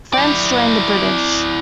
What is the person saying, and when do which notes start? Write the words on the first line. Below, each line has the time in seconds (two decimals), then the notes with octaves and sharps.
France joined the British.
0.13 E4 D5